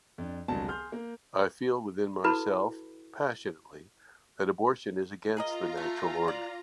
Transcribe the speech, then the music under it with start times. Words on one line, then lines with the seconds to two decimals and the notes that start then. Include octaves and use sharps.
I feel within myself, passionately, that abortion is against the natural order.
0.18 F2 D4
0.48 E1 C2 D3 F#3 G#3 A5
0.68 G#4 C6 F6 G6
0.92 A#3
2.24 E4 F#4 A4 B4 B5
5.37 F4 G#4 A#4 D#5 A#5
5.77 A3
6.28 D5